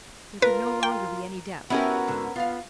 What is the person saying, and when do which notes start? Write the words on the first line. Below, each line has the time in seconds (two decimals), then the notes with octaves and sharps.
There could no longer be any doubt.
0.42 F4 A#4 B4
0.83 G5
1.70 B3 C#4 E4 F#4 G4 A#4 D#5
2.07 G#2 D3
2.36 B3 F4 F5